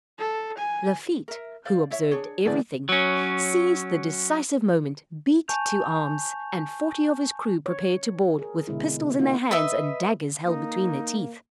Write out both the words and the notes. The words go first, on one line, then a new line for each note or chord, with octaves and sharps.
Lafitte, who observed every thing, seized the decisive moment, beat to arms, and forty of his crew prepared to board, with pistols in their hands and daggers held between their teeth.
A4
G#5
A#4 E5
C5 D5 F5
E4 C#5 E5
D4 G#4 C#5
A2 D3 E3 G#4 D5
F#3 C#4
G#5 A5 C#6 G6 F7
C#5
G#4 A#4
B2 D3 G#3 E4
C3
A#3 D#4 F4 F#4
B4 D#5 E5
A#3 D#4